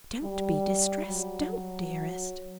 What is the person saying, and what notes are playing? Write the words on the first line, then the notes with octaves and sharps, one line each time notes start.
"Don't be distressed; don't, dearest!"
G3
F#3